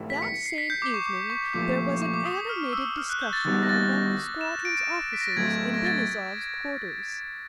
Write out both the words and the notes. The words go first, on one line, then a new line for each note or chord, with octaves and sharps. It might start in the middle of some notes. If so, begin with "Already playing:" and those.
That same evening there was an animated discussion among the squadron's officers in Denisov's quarters.
Already playing: G#2 E3 A3
B6
C#7
C#7
C7
B6
G6
D6
C#6
D6
C#6
A#2 F3 A3 D6
C#6
D6
D#6
D#6
F6
E6
F6
F#6
G6
A6
D#3 G3 B3 D#4 F#4 A6
A#6
A6
A#6
E7
D7
B6
A#6
A6
A2 F#3 A3 G#6
A#6
A6